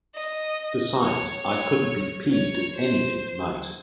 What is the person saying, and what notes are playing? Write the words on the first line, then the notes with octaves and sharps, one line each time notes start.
Besides, I couldn't be peeved at anything tonight.
D#5
C#5
C#5
C#5
C5